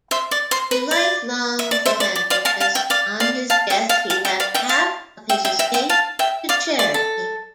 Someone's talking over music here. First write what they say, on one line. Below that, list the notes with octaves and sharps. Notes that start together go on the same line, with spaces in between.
A lifelong philanthropist, on his death he left half of his estate to charity.
C5 E5
D5
C5
B4
D5
E5
D5
C5 E5
D5
D5
D5 F5
F5 A5
F5 A5
E5 G5
D5 F5
D5 F5
F5 A5
E5 G5
F5 A5
F5 A5
E5 G5
D5 F5
E5 G5
F5 A5
E5 G5
E5 G5
E5 G5
E5 G5
F5 A5
E5 G5
D5 F5
D5
A4